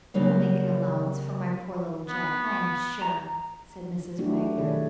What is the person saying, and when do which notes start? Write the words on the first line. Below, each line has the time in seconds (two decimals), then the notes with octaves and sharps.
"You will make allowances for my poor little Jack, I am sure," said Mrs. Wagner.
0.14 C#3 F#3 G3 A#3
2.09 B3
3.02 A#5
4.18 F#3 A3 D4 E4 F#4 G4
4.57 B2 D#3 G#4 A4 C#5 D5